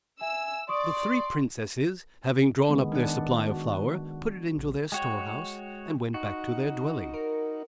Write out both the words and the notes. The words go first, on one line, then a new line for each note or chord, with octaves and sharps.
The three princesses, having drawn up their supply of flour, put it into their storehouse, and went back to their dwelling.
E5 G#5 E6
D5 C6 C#6 D#6 D7
D3 D#3 G#3 B3
D#3 D4 F#5
F#4
A#1
G#3 F#4 C#5 G5
D#4 F#4
A#4